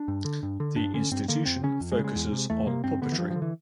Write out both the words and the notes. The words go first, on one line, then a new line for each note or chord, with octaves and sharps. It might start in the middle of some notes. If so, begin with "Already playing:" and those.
The institution focuses on puppetry.
Already playing: D4
G2
D3
G2
D3
G2 D4
D3 C#4
G2 C4
D3 A#3
F2 C4
C#3 C#4
F2
G#3
C#3
G#3
E2
C3
E2 A3
C3 A#3
G2 C4
D3 B3
E3
G2 F3
F3
D3
E3